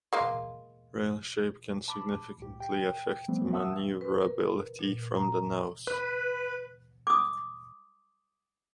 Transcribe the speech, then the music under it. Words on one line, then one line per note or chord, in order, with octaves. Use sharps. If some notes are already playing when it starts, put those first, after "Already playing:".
Rail shape can significantly affect the maneuverability from the nose.
G#3 A#3 F4
A5 B5 D6
C2 A2 G4
G5
F3 G3 A3 B3 C4
E5 F#5 A5 D#6 E6
B4
A#4
A#2
A#5
B4
D6 D#6